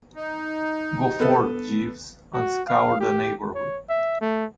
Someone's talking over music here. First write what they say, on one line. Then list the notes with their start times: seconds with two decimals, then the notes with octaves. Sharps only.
Go forth, Jeeves, and scour the neighbourhood.
0.15 D#4
1.20 B3 A4 B4
2.34 F#4
2.68 F5
3.00 G4
3.54 C#5
3.90 E5
4.21 A3